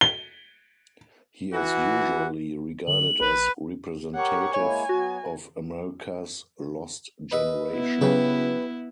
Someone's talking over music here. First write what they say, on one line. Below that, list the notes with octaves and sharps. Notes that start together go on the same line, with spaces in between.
He is usually regarded as representative of America's Lost Generation.
G7
E3 F#4
D3 F#7
A#1 B4
G4 A#4 C#5 F#5 C#6
G#3 A#3 E4 C#5 G#5 C#6
F#3 B3 F#4
B4 D#5 E5
B3 E4
C#3 F#3 G4 B4